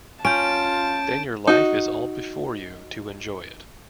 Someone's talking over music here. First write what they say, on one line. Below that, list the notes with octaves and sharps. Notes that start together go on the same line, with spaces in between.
Then your life is all before you to enjoy it.
C#4 F4 A5 G6 D7
D#4 F#4